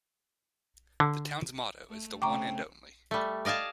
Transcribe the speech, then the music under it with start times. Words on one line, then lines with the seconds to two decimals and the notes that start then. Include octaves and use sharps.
The town's motto is The One and Only.
1.00 D3
1.89 A3
2.22 C#3 A3 C4 G5 A#5 C#6 D6
3.11 G3 A3
3.45 D5 D#5 F5 G#5 A5